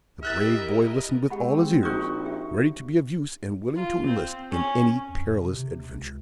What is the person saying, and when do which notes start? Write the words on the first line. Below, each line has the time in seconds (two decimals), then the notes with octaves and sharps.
The brave boy listened with all his ears, ready to be of use, and willing to enlist in any perilous adventure.
0.23 E4 G4 A#4 D#5 E5 F6 F#6 A6
1.30 G#3 C4 G4 F#5 B5
1.83 A#1 D#4 F#4
2.25 G4 E5
3.76 F4
4.06 C4
4.51 C#4
5.09 F2
5.36 C3
5.53 C3
5.88 C#2